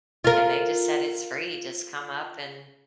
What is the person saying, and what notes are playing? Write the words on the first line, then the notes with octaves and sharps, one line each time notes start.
and they just said "It's free, just come up and"
F4 A#4